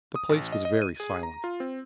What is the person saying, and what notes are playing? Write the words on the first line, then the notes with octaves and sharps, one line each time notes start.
The place was very silent.
D#6
A1
D#5
D#5
D#7
G#4
A#5
F4
C4